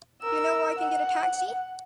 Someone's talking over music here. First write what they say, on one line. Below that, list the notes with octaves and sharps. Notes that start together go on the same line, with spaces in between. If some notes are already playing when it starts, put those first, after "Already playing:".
Do you know where I can get a taxi?
A#4 E6
F#5